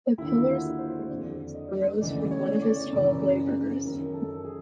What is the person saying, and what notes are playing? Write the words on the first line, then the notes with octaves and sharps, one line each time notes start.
The pillars of Hercules arose from one of his twelve labours.
D#2 D3 E4
F4
F#4
C5
F2 D3 D5
D#5
D2 C#3 E3 D5
C#5
D5
F#2 C#3 E3
F#2 D#3 A#4
A4
G#4